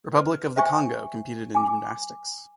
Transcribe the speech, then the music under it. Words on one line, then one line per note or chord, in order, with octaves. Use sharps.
Republic of the Congo competed in gymnastics.
B4
C5 E5 G5 G#5 C#6
G#5 D6